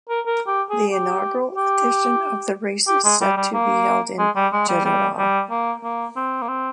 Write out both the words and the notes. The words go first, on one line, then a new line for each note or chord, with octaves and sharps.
The inaugural edition of the race is set to be held in Jeddah.
A#4
A#4
G4
G#4
G4
G4
G4
G#3
G3
G3
A#3
G#3
G3
G#3
G3
G3
G3
A#3
A#3
C4
A#3
C4